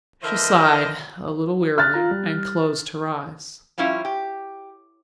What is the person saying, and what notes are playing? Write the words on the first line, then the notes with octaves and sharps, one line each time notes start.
She sighed a little wearily and closed her eyes.
D3 E3 A#4 C5 D#5
F6 F#6 A6
F4 A#5
G3
F3 G3 C#4 E4 F4
G4